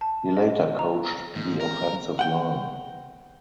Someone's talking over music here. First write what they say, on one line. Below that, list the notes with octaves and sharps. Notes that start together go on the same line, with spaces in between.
He later coached the offensive line.
A5
D#5
A#5
G#2
A#4
F#5 G5